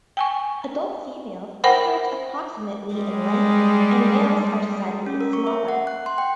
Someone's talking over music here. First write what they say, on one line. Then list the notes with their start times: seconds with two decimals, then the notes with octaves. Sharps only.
Adult females average approximately in length, and males are slightly smaller.
0.17 G5 G#5 C#6
1.64 A#4 C5 F#5 G5 B5
2.94 G3 G#3
5.06 C#4
5.21 A#4
5.33 C#6
5.47 E5
5.68 F#5
5.87 F#6
6.06 C6
6.18 G5